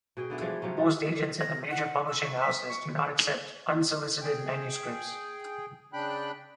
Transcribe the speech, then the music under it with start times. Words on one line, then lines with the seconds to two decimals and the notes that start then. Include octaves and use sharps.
Most agents and the major publishing houses do not accept unsolicited manuscripts.
0.17 B2 G#4 D#5 G5
0.30 D3 B3 E4 G#4
0.41 E3 F3 G3 G#3
0.62 C3 F3 F#3 C#4
0.77 G3 F4 F5 F#5
1.39 A#6
1.71 F#5
2.08 E6
2.23 C#6
2.41 B6
2.68 C#6
4.21 G#4 G5
5.93 C#3 D4 G5 B5 F#6